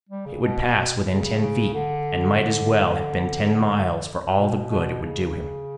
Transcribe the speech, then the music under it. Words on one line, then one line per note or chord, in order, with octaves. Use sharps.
It would pass within ten feet--and might as well have been ten miles for all the good it would do him.
G3
C#3
B2
C#3
C#3
D3
B2
B2
C#3